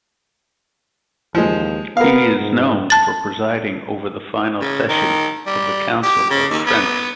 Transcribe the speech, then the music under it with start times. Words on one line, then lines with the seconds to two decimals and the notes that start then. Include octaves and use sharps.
He is known for presiding over the final session of the Council of Trent.
1.35 D#2 F3 G#3
1.97 B3 A#4 F5
2.39 G#2
2.90 A5 A6
4.61 C#3
4.89 D#3
5.46 G3
6.03 G4
6.30 C#3
6.50 D#2
6.66 B3